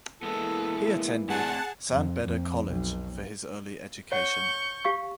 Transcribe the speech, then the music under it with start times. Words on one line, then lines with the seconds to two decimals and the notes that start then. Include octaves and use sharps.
He attended San Beda College for his early education.
0.23 E3 G#3 A#3 B3 E4 A4
1.30 A3 C4 G#4 D5 F#5 A5
1.91 F2
2.24 F2
2.65 B1
4.12 C#5 F#5 C#6 G6
4.85 G4 F5 C#6